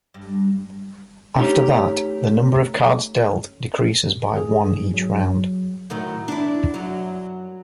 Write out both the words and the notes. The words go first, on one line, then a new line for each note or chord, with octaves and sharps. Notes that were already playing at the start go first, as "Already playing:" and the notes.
After that, the number of cards dealt decreases by one each round.
G2
A3 C#4 D#4 G4 C#5
G#4
G#2
F#3
A2 D#3 F#3
D4 E4
F#2 F#3